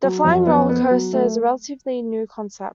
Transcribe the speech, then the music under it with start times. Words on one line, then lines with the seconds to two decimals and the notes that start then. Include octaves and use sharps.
The flying roller coaster is a relatively new concept.
0.04 F#3
0.25 F2
0.47 B3
0.69 B3
0.91 F#3
1.13 A3